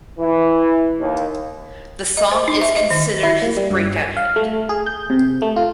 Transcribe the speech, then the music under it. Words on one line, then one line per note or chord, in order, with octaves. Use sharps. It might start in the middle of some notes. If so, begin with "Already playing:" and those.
The song is considered his breakout hit.
E3
D#2
D#5
C5
D#4
E5
D#5
D#3
E4
A#3
G3
G2
G#5
F5
A3
G#4
G6
C3
A3
F4